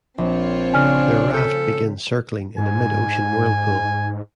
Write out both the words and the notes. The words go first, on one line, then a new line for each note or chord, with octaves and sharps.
Their raft begins circling in a mid-ocean whirlpool.
A#1 C4 F4 C#5
C#3 D4 G#5 F6
A4 G6 B6
G#2 G#5